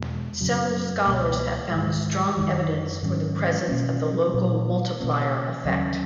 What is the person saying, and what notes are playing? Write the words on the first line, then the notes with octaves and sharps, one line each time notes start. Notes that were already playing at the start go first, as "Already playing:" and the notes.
Several scholars have found strong evidence for the presence of the local multiplier effect.
Already playing: E2 B2 G#3
F#2 C#3 F#3
C#2 B2 A#3
G#2 D#3 G#3
F#2 D#3 F#3
G#2 D#3 F#3 C#4
B2 A#3 C#4
A#2 F#3 B3
B2 A#3 C#4
D#2 C#3 F#3 C#4